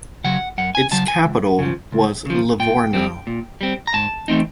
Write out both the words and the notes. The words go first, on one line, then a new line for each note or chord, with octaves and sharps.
Its capital was Livorno.
C#3 F#3 F#5
F#2 F#5
G#5
C#3 F#3 A5
G#5
C#2
C#3 F3
C#2
C#3 F3
A#2 G5
G3 C4
A#2
G3 C4
A#5
G#2 A5
E3 A3 C4 D#4